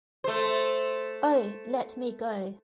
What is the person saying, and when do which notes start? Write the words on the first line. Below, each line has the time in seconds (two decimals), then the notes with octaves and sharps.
Oh, let me go!
0.24 A3 C5